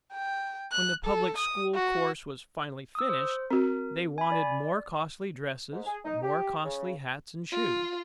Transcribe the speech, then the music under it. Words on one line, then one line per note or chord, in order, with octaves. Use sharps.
When the public school course was finally finished, they wanted more costly dresses, more costly hats and shoes.
G5
F#6
A4
D#6
F#4
D#6 E6
C5
C4 F#4 A#4
G#5 B5
D5
G#2
G#4
D#4
G4
C#3
F4